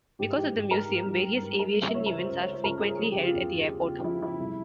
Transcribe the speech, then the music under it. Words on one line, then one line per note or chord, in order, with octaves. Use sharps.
Because of the museum, various aviation events are frequently held at the airport.
G#2 G4
E3 G4
G#2
G#2 A#4
G#2
G3
G3
G#2
G3 A#4
G3
E5
C#2 C#5
A#4
C#3
C5
C#2 C5
C#5
C#3
C5
C#2 A#4
C#2 G#4
F3 G#4
G4
C#3
F4
E2
E2
C#3
C#3
F3 E4
F3 E4
C2